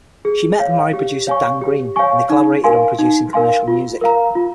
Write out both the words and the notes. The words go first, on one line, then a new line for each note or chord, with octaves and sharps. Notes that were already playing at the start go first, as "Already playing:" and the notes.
She met and married producer Dan Green, and they collaborated on producing commercial music.
G#4
C#5 F5
G4
C#5 F5 G#5 C#6
G4
C#5 F5 G#5 C#6
D#4
A#4 F5 G#5 C6
D#4
A#4 F5 G#5 C6
F4
A#4 F5 A#5
F4